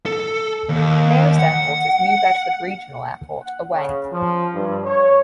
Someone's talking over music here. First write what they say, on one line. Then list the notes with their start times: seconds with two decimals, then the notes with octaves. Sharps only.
The nearest airport is New Bedford Regional Airport, away.
0.06 A4
0.69 D#2
1.39 F#5
3.43 F#5
3.74 C#3
4.13 F3
4.55 G2
4.85 C#5